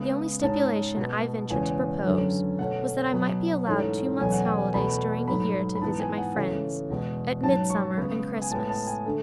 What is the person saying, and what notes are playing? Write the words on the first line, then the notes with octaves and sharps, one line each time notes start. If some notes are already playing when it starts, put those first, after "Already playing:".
The only stipulation I ventured to propose, was that I might be allowed two months' holidays during the year to visit my friends, at Midsummer and Christmas.
Already playing: C#3 G#3 B3
G#2 G#3 C#4 A5
B2 G#3 B3
E2 C#3 E3 G#3 C#4 G#5
F#2 D3 F#3 C#4
B2 A3 C#4 F#5
B2 F#3 B3
G#2 E3 A3 C#4
E2 B2 F#3 A3 C#4 G#5
F#5
G#5
E2 B2 A3 B5
G#2 F#3 A3 B5
B5
G#2 E3 B3 A5
G#5
F#5
C#3 E3 A3 C#4
E2 B2 G#3
G#2 F#3 C#4 A5
C#6
C#3 G#3 B3
G#5
A2 G#3 B3 A5
A5
G#5
D3 A3